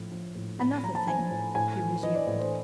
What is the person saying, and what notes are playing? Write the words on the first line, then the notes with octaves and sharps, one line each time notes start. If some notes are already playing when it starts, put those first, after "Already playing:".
"Another thing," he resumed.
Already playing: A2 F3
F3
A2
A2 B5
F3 A#5
A5
F3 G#5
A2
A2 G#5
E3
E3 D#5
D5
A2
C5